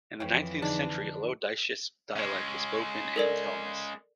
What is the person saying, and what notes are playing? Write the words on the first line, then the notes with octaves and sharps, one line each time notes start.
In the nineteenth century a Low Dietsch dialect was spoken in Kelmis.
F2 C#3 E3 F5 G5
D3 D4 D#4 G#4
G#3 C#4
A4 A#4 D5